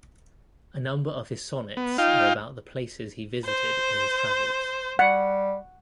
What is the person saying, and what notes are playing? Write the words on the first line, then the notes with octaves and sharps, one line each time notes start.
A number of his sonnets are about the places he visited in his travels.
B3
D#4 F4 F5 G5
C5
G3 F#5